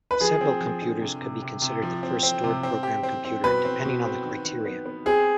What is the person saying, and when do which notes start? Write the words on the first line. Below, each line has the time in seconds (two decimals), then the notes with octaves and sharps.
Several computers could be considered the first stored-program computer, depending on the criteria.
0.11 B4
0.20 F3 G#4
0.41 C4
0.61 F3
0.82 D3
1.01 C3
1.22 C3
1.42 C3
1.62 C3
1.82 F3
2.03 C4
2.23 C4
2.44 C3
2.63 C4
2.83 G4
3.03 C4
3.25 C4
3.44 B2 B4
3.65 C4
3.85 B2
4.05 C4
4.25 D#3
4.45 D#3
4.66 B3
4.86 B3
5.06 C4 G#4